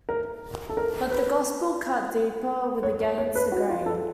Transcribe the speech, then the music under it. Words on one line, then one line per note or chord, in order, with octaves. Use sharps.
But the gospel cut deeper with "Against the Grain".
A#4
A4
A#4
B4
C#5
C#5
C#5
B4
F#4
F4
A4